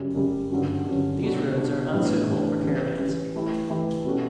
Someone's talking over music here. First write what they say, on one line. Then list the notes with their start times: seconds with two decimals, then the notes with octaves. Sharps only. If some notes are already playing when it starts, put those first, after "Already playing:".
These roads are unsuitable for caravans.
Already playing: F#2 C#3 G3
0.15 F#2 C#3 G3
0.51 G2 D3 F#3 C#4
0.87 G2 D3 F#3 C#4
1.22 B2 G3 D4 F#4
1.57 B2 G3 D4 F#4
1.93 A2 E3 G3 B3 D4
2.27 A2 E3 G3 B3 D4
2.63 E3 G3 C#4
2.98 E3 G3 C#4
3.35 E3 A3 E4 G4
3.70 E3 A3 E4 G4
4.05 B2 G3 C#4 F#4 A4